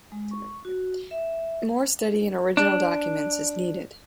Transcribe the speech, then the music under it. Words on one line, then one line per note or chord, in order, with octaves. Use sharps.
More study in original documents is needed.
G#3
C#6
F#4
E5
D4